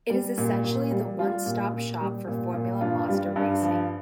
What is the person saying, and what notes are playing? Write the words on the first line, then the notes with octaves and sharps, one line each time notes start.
It is essentially the one-stop shop for Formula Mazda Racing.
G3
A#2
A#2
G3
G3 F4
A#2
A#2
G3
A#2
A#2
G2 F4
G3
G2
F3